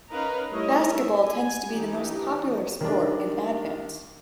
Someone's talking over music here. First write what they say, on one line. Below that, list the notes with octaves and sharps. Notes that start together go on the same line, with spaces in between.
Basketball tends to be the most popular sport in Advance.
C#4 D#4 A#4 B4 F5 A#5
G3 A3 E4 A#4 C#5 D#5
E5
G#5
E3 D4 D#4 G4
D#3 G3 D4